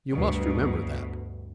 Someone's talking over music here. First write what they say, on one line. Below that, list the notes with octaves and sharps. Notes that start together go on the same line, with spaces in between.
You must remember that.
D2 G2 B2